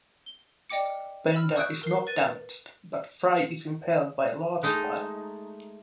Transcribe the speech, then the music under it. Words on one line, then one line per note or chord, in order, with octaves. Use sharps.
Bender is not damaged, but Fry is impaled by a large pipe.
G7
D5 D#5 G5 D6 C#7
B5 E6 F6
C#6 D#6 E6 F#6 G6 D7
A#4 C7
B4 A6 D#7
G#3 A3 D#4